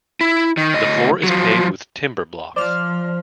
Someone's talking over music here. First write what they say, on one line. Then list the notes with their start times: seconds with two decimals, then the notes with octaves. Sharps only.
The floor is paved with timber blocks.
0.21 E4
0.57 D#3
0.74 D2 D#5
1.23 F3 F#3
2.56 F3 C5 D5 F6